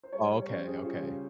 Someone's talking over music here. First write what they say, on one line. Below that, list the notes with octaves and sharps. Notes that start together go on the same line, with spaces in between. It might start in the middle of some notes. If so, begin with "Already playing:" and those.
Oh, okay, okay.
C5
G3 C#5
C#5
G3 C5
C#5
C#4 C5
G4
C#4 G#4
G3 F4
G#4
C#3 G4